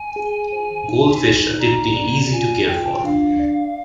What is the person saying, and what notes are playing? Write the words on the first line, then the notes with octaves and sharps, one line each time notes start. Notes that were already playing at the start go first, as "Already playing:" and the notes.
Goldfish are typically easy to care for.
Already playing: G#5
G#4
C5
D#4
D#4
D5 A#5
D5
F4 G#5
F4 G5
D4 F5
D5